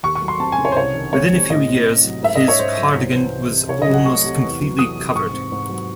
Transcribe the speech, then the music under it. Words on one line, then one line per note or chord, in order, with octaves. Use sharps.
Within a few years, his cardigan was almost completely covered.
D#2 C#6
C#6
F#3
C6
C4 A5
G#5
C#3
C#5
C5
C2 C#5
D#3
G#3 C#5
C3
A2 D#5
C4
A2
F#3
G#2 E5
D#5
C#4
C#5
G#2 C5
F#3
C2
E3
C2
C3
C2 C#5
D#5
F#3
F#5
A3 C#6
C3
E2
F#3
E2 D#6
C3
G#2 C#6
C4
G#2
F#3